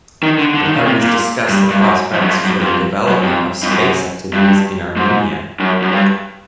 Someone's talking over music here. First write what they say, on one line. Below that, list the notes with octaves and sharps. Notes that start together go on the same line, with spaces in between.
The parties discussed the prospects for the development of space activities in Armenia.
D#3
D3
D3
D#3
C#3
C3
A#2
G2
G2
F#2
F2
F#2
F2
F#2
F2
F#2
F2
F2
F#2
G2
G#2
F#2
F#2
G2